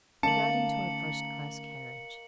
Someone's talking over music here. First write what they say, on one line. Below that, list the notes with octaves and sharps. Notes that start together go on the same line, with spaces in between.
We got into our first-class carriage.
D3 A3 A#3 C#4 D#4 A5 C#7 F#7